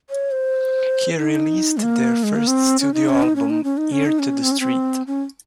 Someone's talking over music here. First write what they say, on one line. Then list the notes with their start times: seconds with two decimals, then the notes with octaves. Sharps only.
He released their first studio album, "Ear to the Street".
0.10 C#5
0.31 C5
1.18 D#4
1.77 G#3
1.83 A#3
2.23 G#3
2.36 A#3
2.47 C4
2.80 C#4
2.94 D#4
3.09 C#4
3.22 D#4
3.36 C#4
3.50 D#4
3.64 C#4
3.77 D#4
3.92 C#4
4.06 D#4
4.19 C#4
4.43 C4
4.52 C#4
4.60 C4
5.07 C#4